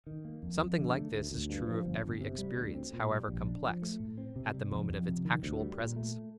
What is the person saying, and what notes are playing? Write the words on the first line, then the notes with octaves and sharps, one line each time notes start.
Something like this is true of every experience, however complex, at the moment of its actual presence.
D#3
A#3
F2
F2
D3
A3
D2
D2
G2
F3
G1
G1
C3
G3
D2
C4
A#2
G3
A#1
D4
F3
A3
A2
C4
C3
G3
F2
F2
C3
D#3
D2
G3
A#2
A3